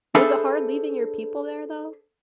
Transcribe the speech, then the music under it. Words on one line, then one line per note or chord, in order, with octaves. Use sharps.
Was it hard leaving your people there, though?
D4 G#4 A4 B4 C5 E5